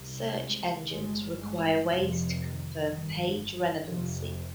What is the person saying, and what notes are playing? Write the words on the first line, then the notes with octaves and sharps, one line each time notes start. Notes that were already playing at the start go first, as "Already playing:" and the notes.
Search engines require ways to confirm page relevancy.
Already playing: C2 C3
G#3
G1 G2 G#3
G#3
F1 F2 C3 F3
D#3
G1 G2 D#3
F1 F2 C3 F3